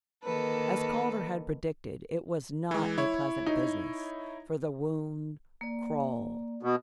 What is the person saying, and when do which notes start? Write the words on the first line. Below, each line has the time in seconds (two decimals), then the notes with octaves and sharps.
As Calder had predicted, it was not a pleasant business; for the wound crawled.
0.24 D#3 A#3 A4 B4
2.71 E3 G#3
2.98 E4 C#5
3.46 D#4
5.61 A#3 D5
6.63 B2